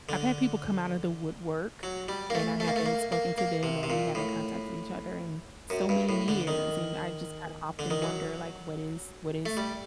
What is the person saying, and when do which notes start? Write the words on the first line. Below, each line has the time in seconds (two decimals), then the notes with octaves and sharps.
I've had people come out of the woodwork, and I haven't spoken to them or we haven't contacted each other in so many years, and I just kinda often wonder, like, what is what is
0.09 D3
1.83 F#3
2.08 G3
2.30 A#3
2.35 A3
2.60 A3
2.68 A#3
2.76 A3
2.86 A#3
3.12 A#3
3.38 A#3
3.63 C3
3.83 C3
3.90 A#2
4.15 A2
5.70 F#2
5.89 G2
6.09 A2
6.28 D3
6.47 D#3
7.79 D3
7.90 D#3
8.02 F#3
9.46 A3
9.57 G3